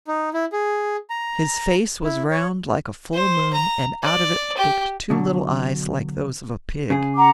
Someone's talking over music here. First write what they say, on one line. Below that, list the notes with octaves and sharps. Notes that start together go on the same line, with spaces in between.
His face was round like a full moon, and out of it looked two little eyes like those of a pig.
D#4
E4
G#4
A#5
E4
C#5
C5
A#5
D5
G4
B2 D3 F#3
C#3 G#4
F#5 A#5 D6